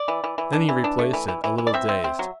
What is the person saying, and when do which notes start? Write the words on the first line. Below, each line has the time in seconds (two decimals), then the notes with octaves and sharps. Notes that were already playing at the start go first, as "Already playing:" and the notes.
Then he replaced it, a little dazed.
Already playing: D5
0.08 E3
0.24 E3
0.38 E3
0.53 D4
0.69 E3
0.84 D4
0.99 A3
1.13 E3
1.28 E3
1.44 E3
1.58 E3
1.67 D5
1.74 C4 E5
1.89 C4
2.04 C4
2.19 F#3